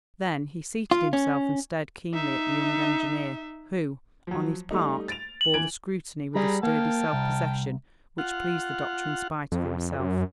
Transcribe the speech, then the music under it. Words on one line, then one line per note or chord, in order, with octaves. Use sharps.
Then he seated himself and stared keenly at the young engineer, who on his part bore the scrutiny with a sturdy self-possession which pleased the doctor in spite of himself.
F4
C#4
D#4 E5
F3 F#3
G3 A3 D#4
A6 D7 F7
F#7
E3 G#6 D7
G3 G#4 A#5 B5
A#3 G5 A5 F6
C2
F4 F#5
F2
F#2